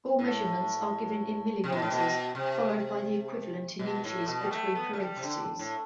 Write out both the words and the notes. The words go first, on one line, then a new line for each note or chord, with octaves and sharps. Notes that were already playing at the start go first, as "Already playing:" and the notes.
All measurements are given in millimeters, followed by the equivalent in inches between parentheses.
A2
C3
B2
A2
B2
C3
B2
A2
B2
G3
A3
B3
A3
G3
C3
D3
A2